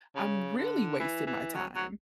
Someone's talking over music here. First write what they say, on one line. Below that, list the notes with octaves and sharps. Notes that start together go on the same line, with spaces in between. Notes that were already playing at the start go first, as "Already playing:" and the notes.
I'm really wasting my time,
C#3
D3
E3
E3
F#3
F#3